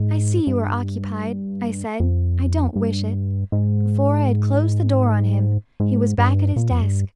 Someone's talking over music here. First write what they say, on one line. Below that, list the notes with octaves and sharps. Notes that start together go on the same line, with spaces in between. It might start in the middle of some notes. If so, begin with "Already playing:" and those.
'I see you are occupied,' I said; 'I don't wish it.' Before I had closed the door on him he was back at his desk.
Already playing: G#2
G2
F2
G2
G#2
G#2
G2
A#2
F2
G2